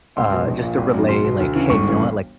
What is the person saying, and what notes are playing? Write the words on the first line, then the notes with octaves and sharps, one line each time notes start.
uh, just to relay, like, "Hey, you know what, like,
C#2 C6
B2
A#1
A#2
G#1
F#2 D#3
B1 C6
B2
D2
C#3 E3
G1 C#6
C#3 E3